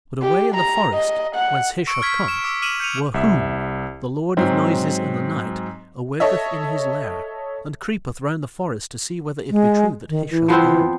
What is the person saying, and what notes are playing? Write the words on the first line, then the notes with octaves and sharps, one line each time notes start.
But away in the forest whence Hish hath come Wohoon, the Lord of Noises in the Night, awaketh in his lair and creepeth round the forest to see whether it be true that Hish hath gone.
G4
A#5
D#5
F#5
C#6 E6 C#7 D7
F6 G#6 B6
E7
D6 E6
D6 F6 D#7 E7 F#7
G6 C#7 D#7 F7
C2 E5
G#2 F#3 C4
A4 C#5 D#5 E5
G#3
D#3
E3
F3 B3 C4